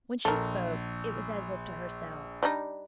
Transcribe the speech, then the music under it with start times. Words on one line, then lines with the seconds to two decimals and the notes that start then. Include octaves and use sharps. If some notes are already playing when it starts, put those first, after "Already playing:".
When she spoke, it was as if to herself.
0.25 A#1 A4 A#4
2.43 G3 D4 D#4